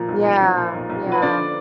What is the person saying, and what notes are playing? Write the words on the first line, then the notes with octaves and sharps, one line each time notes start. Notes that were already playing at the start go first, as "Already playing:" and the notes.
Yeah. Yeah.
Already playing: A#2 F3
B1
B1
F3
A#2
B1
B1
F3
B4
D3 D5